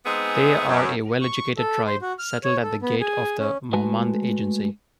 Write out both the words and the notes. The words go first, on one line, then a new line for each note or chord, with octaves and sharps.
They are a well-educated tribe settled at the gate of the Mohmand Agency.
G#3 B3 C4 D#4 G#4
F#2
C#6
A4
C5
F#4
F6
C#5
A4
B3
G#4
C#4
G#3 A3 F#4 B4 G#5 A5